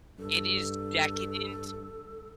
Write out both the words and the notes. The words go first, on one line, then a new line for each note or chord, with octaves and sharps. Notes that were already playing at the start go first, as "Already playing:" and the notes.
it is decadent
G2 A4